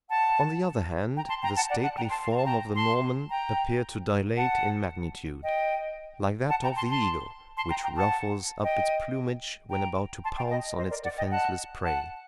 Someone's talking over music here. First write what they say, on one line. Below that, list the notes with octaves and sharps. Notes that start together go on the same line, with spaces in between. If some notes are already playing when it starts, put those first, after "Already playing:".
On the other hand, the stately form of the Norman appeared to dilate in magnitude, like that of the eagle, which ruffles up its plumage when about to pounce on its defenceless prey.
F#5 A5
G5 A#5
A5 C6
G5 A#5
F#5 A5
D5 F#5
F#5 A5
G5 A#5
A5 C6
C6
A#5
A5
G5 A#5
A5 C6
G5 A#5
F#5 A5
D#5 G5
F#5 A5
G5 A#5
A5 C6
A5 C6
A5 C6
G5 A#5
G5 A#5
F#5 A5
D#5 G5
G5 A#5
A5 C6
G5 A#5
D#5 G5
C5 D#5
A#4 D5
D5 F#5
D#5 G5
F#5 A5
F#5 A5